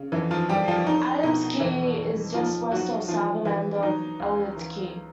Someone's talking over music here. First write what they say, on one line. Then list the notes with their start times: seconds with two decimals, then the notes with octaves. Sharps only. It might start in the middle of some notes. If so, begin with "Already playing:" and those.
Adams Key is just west of the southern end of Elliott Key.
Already playing: C#3
0.12 F2 E3 E4
0.31 F3 F4
0.49 F2 G3 G4
0.68 F3 F4
0.86 C2 D#4
1.23 B2 D#4
1.60 F2 E3 E4
1.98 F2
2.34 D#2 F3 F4
2.71 D#3 F#3 F#4
3.08 E3 F3 F4
3.45 E3 E4
3.75 D4
3.83 F#3 D#4
4.20 C#2
4.56 E3